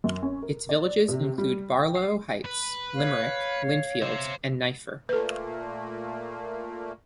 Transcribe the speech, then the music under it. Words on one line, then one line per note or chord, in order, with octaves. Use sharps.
Its villages include Barlow Heights, Limerick, Linfield, and Neiffer.
F#2
C#4
A#4
D5
C3
G3
G5
C7
B4
C#5 F5
C5 E5
A#2 A3 A#3 A4 B4